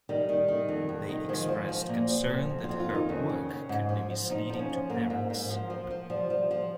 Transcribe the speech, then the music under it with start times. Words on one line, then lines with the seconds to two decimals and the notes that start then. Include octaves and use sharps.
They expressed concern that her work could be misleading to parents.
0.09 D#3 G3
0.29 D#3
0.48 D#3
0.69 F2
0.89 F2
1.09 D#3
1.29 F3 G#3
1.49 F3
1.69 F3
1.89 A#2 A#3
2.09 F3
2.30 F3
2.50 F2
2.64 F4
2.69 F2
2.80 F4
2.90 D#3
2.95 D#4
3.09 F2 C#4
3.29 C#3
3.49 C#3
3.69 G#2
3.89 F3
4.10 F3
4.30 F3 D#4
4.50 F3
4.59 C#4
4.70 F3
4.90 G#2 A#3
5.10 G#2
5.30 G#2
5.50 F3
5.70 F3
5.91 F3
6.10 F3 G3
6.30 F3
6.51 F3